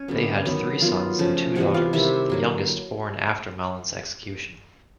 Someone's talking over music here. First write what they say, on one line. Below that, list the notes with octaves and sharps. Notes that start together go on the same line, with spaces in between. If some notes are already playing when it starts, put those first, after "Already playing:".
They had three sons and two daughters, the youngest born after Mallin's execution.
Already playing: C#4 C#5
D3 F#3 B3
D#3 F#3 B3
D#3 F#3 B3 F4 F5
C#3 F3 A3
C3 E3 G#3 B3 F#4 F#5
F4 F5
C3 D#3 G3 E4 E5
D3 F#3 A#3